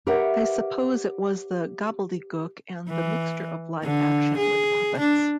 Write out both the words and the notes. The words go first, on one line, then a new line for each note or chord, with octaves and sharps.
I suppose it was the gobbledegook and the mixture of live action with puppets.
G4 A#4 B4 C#5 E5 F#5
E3
D3
G#4
D4